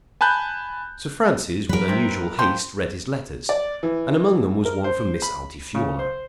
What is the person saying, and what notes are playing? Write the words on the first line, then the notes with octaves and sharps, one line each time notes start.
Sir Francis with unusual haste read his letters, and among them was one from Miss Altifiorla.
G#5 A5 B5 F#6 G6
F#3 A#4 B4
C3 C4
F3 G5 C6
D5
E3
A#4
C5
B5
C#3
C5